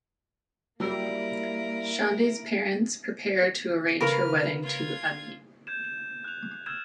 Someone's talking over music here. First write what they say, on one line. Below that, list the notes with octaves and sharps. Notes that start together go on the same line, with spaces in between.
Chandni's parents prepare to arrange her wedding to Amit.
F#3 G3 A#3 E4 A#4 E6
C#3 A#4 B4 F6
F4 G#6
G6 G#6 E7
F#6 F7
E6 F6 G#6 A6 E7